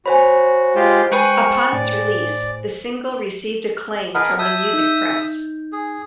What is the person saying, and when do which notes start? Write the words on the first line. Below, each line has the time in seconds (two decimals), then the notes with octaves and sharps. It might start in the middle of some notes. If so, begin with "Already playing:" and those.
Upon its release the single received acclaim from the music press.
0.06 F#4 C5 C#5 G#5 B5
0.75 G#3 F4 G4
1.12 G#3 G#4 B4 G5 C#6
1.73 A2 D5
4.15 G#4 A#4 B4 D#5 F#5 A5
4.39 E5 A5 D#6 G6 G#6
4.73 D#4 G6
5.72 G#4